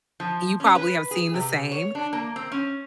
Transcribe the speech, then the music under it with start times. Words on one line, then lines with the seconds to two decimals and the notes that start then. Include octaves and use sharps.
you probably have seen the same.
0.20 F3
0.60 C#4
0.75 B4
1.11 G#4
1.34 C3
1.72 C#5
1.95 D4
2.13 A#3
2.36 C4
2.52 C#4